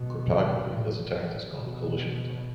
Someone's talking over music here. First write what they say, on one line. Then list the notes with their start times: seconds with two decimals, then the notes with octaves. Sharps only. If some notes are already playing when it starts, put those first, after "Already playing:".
In cryptography, this attack is called a collision attack.
Already playing: B2
0.67 A2
1.58 B2